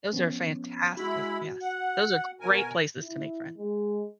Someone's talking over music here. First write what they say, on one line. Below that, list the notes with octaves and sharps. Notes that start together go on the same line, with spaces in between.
those are fantastic, yes. Those are great places to make friends.
F3 B3 C#4
G#3 E4 F#4 B5
F#5
B2 A#4 G#5
E4
G#3